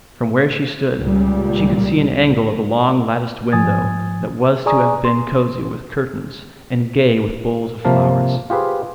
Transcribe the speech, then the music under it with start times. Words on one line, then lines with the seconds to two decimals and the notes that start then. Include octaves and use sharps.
From where she stood she could see an angle of the long latticed window that was to have been cosy with curtains and gay with bowls of flowers.
1.01 C#2 A#2 G3
3.52 G#2 F3 G#5 D#6 G#6 A6
4.66 G#4 D5 G#5 A#5 C#6 D#6
5.05 C6
7.85 C3 F3 A#3 F5 A5
8.50 F4 G4 G#4 B4 C5